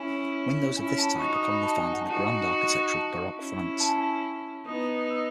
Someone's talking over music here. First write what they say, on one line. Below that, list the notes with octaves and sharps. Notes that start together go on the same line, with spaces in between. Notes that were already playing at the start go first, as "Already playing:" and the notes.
Windows of this type are commonly found in the grand architecture of Baroque France.
Already playing: C#4 E4 G#5
C#4 E4 G#5
B5
A5
B5
D#4 F#4 C#6
D#6
B5
A5
G#5
F#5
A5
D#4 F#4 G#5
A5
C#4 E4
A5
G#5
A5
B3 D#4 D#6
E6